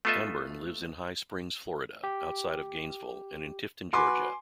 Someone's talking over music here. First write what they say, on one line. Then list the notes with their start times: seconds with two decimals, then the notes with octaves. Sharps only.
Amburn lives in High Springs, Florida, outside of Gainesville and in Tifton, Georgia.
0.05 A3 B3 F4 A4 D#5 E5
2.04 G4
3.93 F#4 B4 G#5 C6 D6